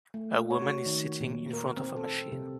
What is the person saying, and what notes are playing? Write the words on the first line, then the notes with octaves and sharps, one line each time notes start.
A woman is sitting in front of a machine.
A3
C#5
F#4
D#3
A#2
A#4
C4
A4
C3